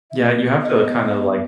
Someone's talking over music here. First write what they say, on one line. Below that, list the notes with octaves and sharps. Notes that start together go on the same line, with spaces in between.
Yeah, you have to kinda, like
E5
A#3 D#5
B3
D#5
B3
B3